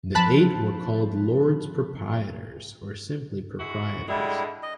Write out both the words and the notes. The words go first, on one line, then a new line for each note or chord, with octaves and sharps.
The eight were called "Lords Proprietors" or simply "Proprietors".
F3 C4 A5 B5 F#6
G#3 E4 F#4
D3 G3 G#3 E4
D#5